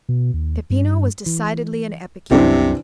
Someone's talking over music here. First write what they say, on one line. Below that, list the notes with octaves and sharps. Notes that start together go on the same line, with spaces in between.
Peppino was decidedly an epicure.
B2
D#2
G2
E3
C2 F#2 C3 E3 C4 D4